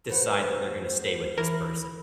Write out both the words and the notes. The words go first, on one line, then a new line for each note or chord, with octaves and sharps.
decide that they're gonna stay with this person.
A3 B4 C5 F#5
E3 A#4 B5